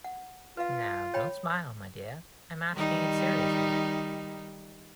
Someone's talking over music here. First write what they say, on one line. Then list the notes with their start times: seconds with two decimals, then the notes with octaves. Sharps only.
Now, don’t smile, my dear, I’m asking it seriously.
0.04 F#5
0.57 F4 B4 F5
1.14 C#5 G5 B5
2.73 D#3 G3 D#4